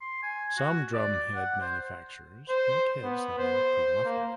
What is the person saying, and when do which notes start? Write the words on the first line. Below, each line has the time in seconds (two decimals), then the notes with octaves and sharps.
Some drumhead manufacturers make heads that are pre-muffled.
0.01 C6
0.23 G#5
0.58 F#4
0.94 D5
1.35 F#5
1.61 C5
2.49 C5
3.04 B3
3.38 C5
4.05 A#3